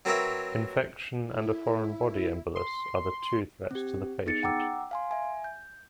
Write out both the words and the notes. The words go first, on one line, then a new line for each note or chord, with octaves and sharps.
Infection, and a foreign body embolus are the two threats to the patient.
F#3 C4 A#4 B4 C#5 E5
E4
C6
C4 G4
B3 D#4 G#4 A6 C#7
F#5 G5 A#5 D6 E6
F5 G#5 C6
E5 G#5
G6